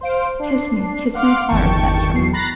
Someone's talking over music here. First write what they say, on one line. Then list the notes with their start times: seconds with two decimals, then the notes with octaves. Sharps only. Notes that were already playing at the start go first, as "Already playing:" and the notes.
Kiss me, kiss me hard, that's right.
0.01 C5 F5 D7
0.40 D4 C7
1.14 F5 F#5 C6 D6 F6
1.49 G1 E2 D#3 G5 A5 C#6
2.12 B1 E2 C7
2.33 A#5 B5 F#6 A6 A#6 C7